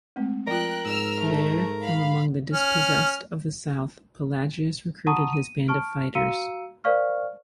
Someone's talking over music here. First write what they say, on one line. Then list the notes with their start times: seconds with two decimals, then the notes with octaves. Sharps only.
There, from among the dispossessed of the south, Pelagius recruited his band of fighters.
0.16 G#3 A3 C4
0.47 F3 F4 A#4 G5 F#6
0.86 G#2 E6 F6
1.23 A3
1.82 F5 B5
2.54 C#4 F6
5.07 F#5 A5 A#5 C#6 D#6 D#7
5.33 D#7
5.68 A5 C#6 F6 D7
6.15 F#4 F5 A#5 E6 C#7 D#7
6.84 A#4 C5 D5 F5 C#6 F6